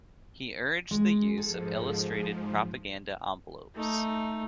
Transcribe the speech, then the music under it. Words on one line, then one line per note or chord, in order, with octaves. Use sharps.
He urged the use of illustrated propaganda envelopes.
G#3
G#2 F3 G#4 A4
A3 D#4